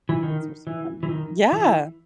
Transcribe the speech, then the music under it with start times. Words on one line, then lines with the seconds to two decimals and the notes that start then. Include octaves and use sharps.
These are so fun. Yeah.
0.09 E3
0.23 D#3
0.67 E3
1.03 E3
1.09 D#3
1.52 E3